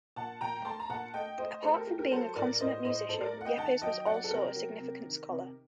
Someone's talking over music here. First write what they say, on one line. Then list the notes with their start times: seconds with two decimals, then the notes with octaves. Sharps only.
Apart from being a consummate musician, Yepes was also a significant scholar.
0.16 A#2 F#5 A5
0.41 A#2 G5 A#5
0.65 A3 A5 C6
0.80 A#5
0.89 A#2 F#5 A5
1.14 A3 D#5 G5
1.38 A3 C5 D#5
1.63 A3 A4 C5
1.74 G4 A#4
1.87 A3 G4
1.99 G4 A#4
2.11 F#3 A4 C5
2.36 A2 A#4 D5
2.60 A2 C5 D#5
2.84 A2 C5 D#5
3.09 A2 A4 C5
3.21 A#4 D5
3.33 A3
3.41 F#5
3.45 D#5 G5
3.57 D#3 F#5 A5
3.82 F#3 D#5 G5
4.06 F#3 D5 F#5
4.24 A4
4.31 C3 G4 A#4
4.55 F#3
4.80 C3
5.04 D#3
5.29 C3